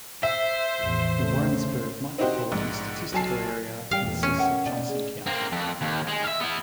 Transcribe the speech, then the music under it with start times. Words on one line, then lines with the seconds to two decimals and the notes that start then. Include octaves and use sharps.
The Warrensburg Micropolitan Statistical Area consists of Johnson County.
0.23 C5 E5
0.80 A1 E2 F3
1.18 C#3 A3
2.18 C4 D#4 E4 F#4 G4 C5
2.52 A#1 G#2
3.12 B1 F#3 G#5 A5 C7
3.91 G3 F5 G5
4.04 E2 A#2 A3
4.23 C#4
4.38 A#4 E5 F#5 G5
4.66 B2 D#4 D5 A5
4.89 G#4
5.26 A#3 C4
5.52 F2
5.81 D#2
6.07 G#3
6.24 E5 F5
6.40 B3 E4